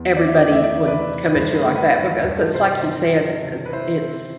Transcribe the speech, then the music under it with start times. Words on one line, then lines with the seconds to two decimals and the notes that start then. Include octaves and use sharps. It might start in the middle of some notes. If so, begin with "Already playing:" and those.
everybody wouldn't come at you like that, because it's like you said, uh, it's
Already playing: E2
0.16 E4 D5
0.28 E5
0.41 D5
0.47 A3 E5
0.64 D5
0.76 E3 E5
0.86 B4 D5
1.06 C3
1.27 B4
1.35 G2 C5
1.55 B4
1.65 A3
1.76 B4
1.95 F#3
2.24 G2
2.54 C3 C5
2.84 C4
3.13 F#3
3.43 C3
3.66 B4
3.72 E4 C5
4.02 C4